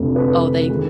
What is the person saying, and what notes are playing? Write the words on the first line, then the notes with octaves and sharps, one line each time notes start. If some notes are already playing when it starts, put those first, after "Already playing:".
Oh, they
Already playing: F1 F2 D3
B4
D#3 G#3